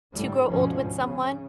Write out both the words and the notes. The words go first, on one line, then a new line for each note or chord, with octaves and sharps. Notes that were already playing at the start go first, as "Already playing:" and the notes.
to grow old with someone,
A2 D3 G3
D2 G#2 B2 F3 C#4
C#3